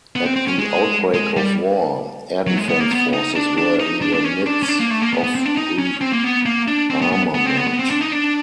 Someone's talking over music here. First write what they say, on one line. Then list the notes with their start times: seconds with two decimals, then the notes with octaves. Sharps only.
At the outbreak of war, air defence forces were in the midst of rearmament.
0.16 B3
0.25 C4
0.36 C4
0.47 C#4
0.59 G#3
1.14 G#3
1.36 G3
2.47 F#3
2.57 G#3
2.69 B3
2.80 A#3
2.91 B3
3.13 D#4
3.36 D4
3.58 D4
3.80 D#4
4.02 D4
4.14 D4
4.24 C#4
4.46 D4
4.63 C#4
4.68 D4
4.80 A#3
4.91 A3
5.02 A#3
5.13 B3
5.23 B3
5.35 C4
5.45 D4
5.57 D#4
5.79 C#4
6.01 C4
6.13 A#3
6.24 B3
6.46 A#3
6.68 D4
6.90 C4
7.02 B3
7.12 B3
7.35 B3
7.46 C4
7.57 B3
7.68 B3
7.79 C4
7.90 D4
8.01 D#4
8.12 D4